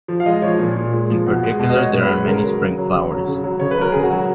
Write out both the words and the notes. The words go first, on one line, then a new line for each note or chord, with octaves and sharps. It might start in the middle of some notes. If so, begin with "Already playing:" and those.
In particular, there are many spring flowers.
F3
F5
G#3 D#5
F3 C#5
A#2
A#2
G#3
F3
B2
G#3
B2
D#5
G#3 C#5
B2
B4
G#3
C#3 A#4
F#3
C#3
F#3
C#3
F#3
C#3
F#3
C#3 C#5
B4
F#3 A#4
C#3 G#4
F#4
F#3